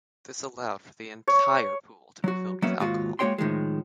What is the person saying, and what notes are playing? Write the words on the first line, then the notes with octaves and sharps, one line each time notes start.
This allowed for the entire pool to be filled with alcohol.
C#5
F#3 F#4
F#3 A#3 B3 C#4 E5 F#5
D#2 G#2 F4 F#4
G#3 A#3 F#4 C#5 G5 C6
A2 D#3 F3 G#3